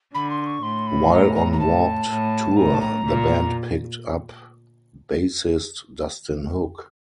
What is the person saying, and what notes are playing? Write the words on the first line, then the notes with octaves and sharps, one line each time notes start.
While on Warped Tour, the band picked up bassist Dustin Hook.
D3 B5
C6
C#6
A2 C6
B5
A#5
A#5
A#5
A5
A2
A2 A#5
A5
A#5
A#2